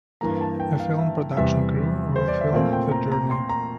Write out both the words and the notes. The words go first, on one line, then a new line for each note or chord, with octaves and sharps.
A film production crew will film the journey.
G2 E3 A#3 A#5
A5
G5
F5
E5
E2 C3 G3 E5
C5
D5
E5
A#2 A3 C4 F5
G5
A#5
A#5
C6
A#5